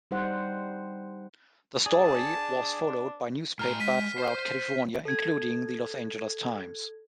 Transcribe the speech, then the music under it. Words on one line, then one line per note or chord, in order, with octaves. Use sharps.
The story was followed by newspapers throughout California, including the "Los Angeles Times".
G3 D#4 C5 F#5
D4 G#4 A5
A2 A#5 F6
G#3 F6 B6 D#7
C5
A4 G#6